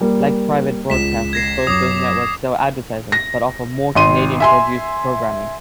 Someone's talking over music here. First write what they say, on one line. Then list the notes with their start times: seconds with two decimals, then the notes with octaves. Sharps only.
Like private broadcasters, both those networks sell advertising, but offer more Canadian-produced programming.
0.01 G3 A#3
0.90 C#2 B6 E7
1.33 G#6 A#6 C7
1.67 F#2 D6 D#6
3.12 A#6
3.95 G#1 C6 D#7
4.40 E5 G#5 C6